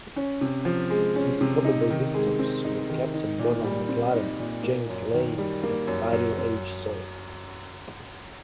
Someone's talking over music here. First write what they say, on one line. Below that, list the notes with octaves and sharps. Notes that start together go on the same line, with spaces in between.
His probable victors were Captain Donald MacLaren, James Leith and Cyril H. Sawyer.
C#4
C3
F3
G#3
C#4
C3
D#4
D#3
G#3
C4
D#4
D#3
D#4
A#2
G3
C4
D#4
A#2
A#3
F#2
D#3
G3
A#3
F#2
F#2
F#2